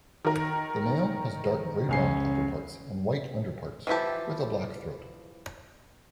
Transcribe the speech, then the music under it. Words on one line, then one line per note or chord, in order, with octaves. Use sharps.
The male has dark grey-brown upperparts and white underparts, with a black throat.
D#3 A#4
C#2 C#4 C7
E3 F3 E4 G4 A5